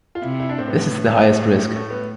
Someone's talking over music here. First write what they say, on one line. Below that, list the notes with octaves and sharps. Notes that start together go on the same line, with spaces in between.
This is the highest risk.
F4
C3 E4
E4
D4
C4
A2 B3
A3
B3